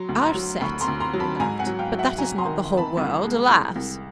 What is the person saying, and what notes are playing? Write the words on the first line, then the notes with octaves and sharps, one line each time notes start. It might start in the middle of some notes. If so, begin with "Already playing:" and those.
"Our set," he laughed, "but that is not the whole world, alas!"
Already playing: F#3 A#5 C6
D2
A#5 C6
F#3
D2 B5 C#6
A#5 C6
D2
A#5 C6
F#3
A5 B5
G#2 G#5 A#5
F#5 G#5
F#3
F5 G5
F#3
E5 F#5
F#3 G#5 A#5
A#5 C6
D#3
D#3
A5 B5
C2
G#3
C2
C2